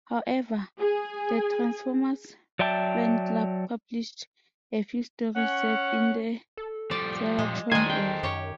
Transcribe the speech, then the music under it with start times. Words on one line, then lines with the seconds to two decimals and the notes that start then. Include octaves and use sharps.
However, the Transformers Fan Club published a few stories set in the "Cybertron" era.
0.79 G#4 G#5
2.59 F#3 D5 E5 G5 A5
5.36 C#4 F#5
6.57 A4
6.91 F3 G3 D5
7.39 A#2 G#3
7.72 D#3 G3 G#3 A4 C5 G#5
7.90 G5
8.23 F#2 G4 C#5